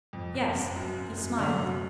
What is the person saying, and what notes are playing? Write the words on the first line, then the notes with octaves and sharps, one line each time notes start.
Yes, he smiled.
F2
F#1
F#1
F#2
F#1
F#2
D3
F#2